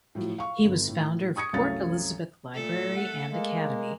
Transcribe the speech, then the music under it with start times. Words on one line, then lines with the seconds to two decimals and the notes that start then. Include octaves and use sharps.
He was founder of Port Elizabeth Library and Academy.
0.15 A2 F3 F#3
0.38 F5 C#6
0.64 G1
0.88 A2
1.36 C#6 D#6 G#6 C#7
1.53 C2 F#2 A3 C#4 F5 A6
2.54 A#2 A3 A4
2.96 F#5
3.31 G#3 A#3